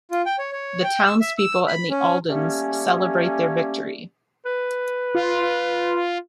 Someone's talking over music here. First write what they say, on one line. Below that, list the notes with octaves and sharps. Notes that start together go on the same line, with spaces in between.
The townspeople and the Aldens celebrate their victory.
F4
G5
C#5
C#5
G5
E6
E5
E6
B5
C#4
G3 A3 A#3 C#4
B4
F4